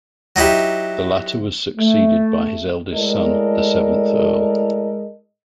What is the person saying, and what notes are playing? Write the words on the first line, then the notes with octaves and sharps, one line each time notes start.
The latter was succeeded by his eldest son, the seventh Earl.
F#3 D#4 E4 G4
A3
A2 G#3 A4 A#4 D5 D#5